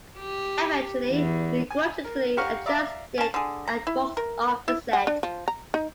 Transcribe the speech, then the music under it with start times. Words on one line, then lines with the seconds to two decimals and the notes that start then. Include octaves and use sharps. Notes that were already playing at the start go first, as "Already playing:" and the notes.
Eventually, he grudgingly adjusts it and walks off the set.
0.19 G4
1.10 E2
1.71 G#5
2.05 A#4
2.37 G4 F5 F#5 A#5 C#6 F6
2.66 D5 E5 F5 A#5 D6
3.18 C#4 A5
3.34 D3 G#4
3.68 A#5
3.87 E4
4.17 A#4
4.68 E4
4.93 F#5
5.07 D4
5.23 F3
5.48 A#5
5.74 D#4